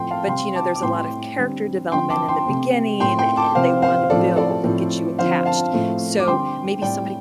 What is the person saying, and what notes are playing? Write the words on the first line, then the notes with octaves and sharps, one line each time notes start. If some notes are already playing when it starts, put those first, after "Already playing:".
But, you know, there's a lot of character development in the beginning, and they want to build and get you attached. So maybe somebody
Already playing: A2 F3 A3 C4 G5 C6
F5 A5
C3 G3 C4 G5 C6
A5 D6
D6
A2 G3 C4 G5 C6
D3 G3 C4
D3 F3 C4 G5 C6
A5 D6
G5 C6
C3 A3 C4
A2 A3 C4 G5 C6
G5 C6
A5 D6
C3 F3 C4 C5 F5
C5 F5
A2 F3 C4 A4 D5
A4 D5
A2 F3 C4
D3 F3 C4 C5 F5
F5 A5
A2 F3 A3 C4
D6
D3 G3 C4 G5 C6
A2 G3 C4 D5 G5